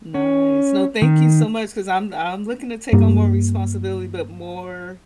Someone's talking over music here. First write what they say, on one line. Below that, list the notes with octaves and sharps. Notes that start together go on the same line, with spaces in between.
Nice. No, thank you so much 'cause I'm I'm looking to take on more responsibility, but more
C#4
D#3
G2 A#3